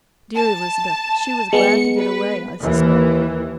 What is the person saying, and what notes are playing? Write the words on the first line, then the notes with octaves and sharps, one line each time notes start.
Dear Elizabeth, she was glad to get away, I suspect!
A5
G#3 B3 C#7
B4
D#2 E3